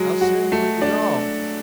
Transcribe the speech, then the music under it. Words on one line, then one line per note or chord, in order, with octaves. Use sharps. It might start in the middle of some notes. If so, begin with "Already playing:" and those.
"How soon will you go?"
Already playing: F#3 G#3
F#4
A3
D4